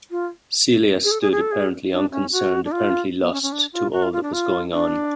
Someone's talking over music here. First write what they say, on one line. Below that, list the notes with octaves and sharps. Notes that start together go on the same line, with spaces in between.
Celia stood apparently unconcerned, apparently lost to all that was going on.
F4
G#4
A4
G#4
G#4
A4
G#4
D4
C#4
F#4
D4
F4
B3
C#4
C#4
D4
F4
F#4
F4
F4
D4
F4
D4